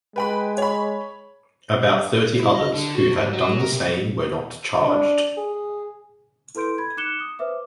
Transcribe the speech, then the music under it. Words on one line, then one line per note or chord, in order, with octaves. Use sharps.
About thirty others who had done the same were not charged.
G#3 B4 G5 B5
C#5 B5
E4
D#5
D3
F#4
G#2
F#3
A#4
C3
D4
G#4
E4 A4 B4 C6 G6 D7
B5 G#6
D#4 D6 F#6 C#7 E7 G7
D#6
B4 C5 E5 D6